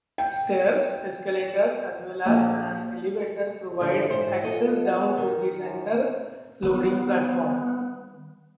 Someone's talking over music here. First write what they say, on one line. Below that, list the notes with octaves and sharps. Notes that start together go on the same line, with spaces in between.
Stairs, escalators, as well as an elevator provide access down to the centre-loading platform.
G5
A#1
G2 D3 E3 F3
G#2 C5
F4 A4 D#5
B3
D#3 A#4
F#2
D#3 G3 B3